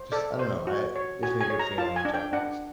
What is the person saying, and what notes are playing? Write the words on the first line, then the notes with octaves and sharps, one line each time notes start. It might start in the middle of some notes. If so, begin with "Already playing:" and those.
just, I don't know I gives me a good feeling in general,
Already playing: C5
A4 D5
C5
F#4
C#5
F#4 G#5
G#5
C#5
A#5
F4 A5
G#5
D4
G5
D4 F#5